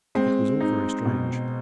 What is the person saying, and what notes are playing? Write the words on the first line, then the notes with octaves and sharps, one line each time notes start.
It was all very strange.
G#3 C4
D#4
B2